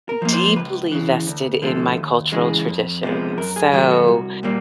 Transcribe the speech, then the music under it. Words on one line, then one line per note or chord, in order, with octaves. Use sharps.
deeply vested in my cultural traditions. S o,
A#4
F3 A#3
C5
C#2 B4
C#3 E3
D2
D3 F3 A3
D#2
C#3 E3 G#3
F2
C3 F3 G#3 B3
F#2 A#4
G#4
D#3 F#3 A3 G4
F#4
C2
A#2 G3 A#3